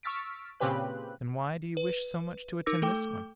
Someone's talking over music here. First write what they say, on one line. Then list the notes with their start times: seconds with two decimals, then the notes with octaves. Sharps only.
"Then why do you wish so much to attend this one?"
0.03 C#6 E6 F6 A6 B6 D7
0.60 A#2 C#3 C4 G4 B4 F#6
1.77 B4
2.66 D#4 A#4 D6 E6 A#6
2.82 A3 A4 G5 D6